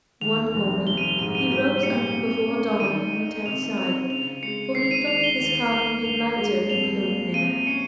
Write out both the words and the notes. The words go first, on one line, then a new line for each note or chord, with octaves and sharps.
One morning he rose up before dawn and went outside, for he thought his heart would be lighter in the open air.
D#2 F7
F1
G3 G7
D#7
F7
G#2 D#7
D#7
G3 D#7
A#2 C#7
C3
C#4
D#3 D#7
D#4
C3 F7
C4 F7
C#3 F7
G#3 C#7
D#3 C7
D#7
D#2 F7
G7
D#2 F7
A#3
G2 F7
G#3
F2 F7
A#3
C3 D#7
C#4 C#7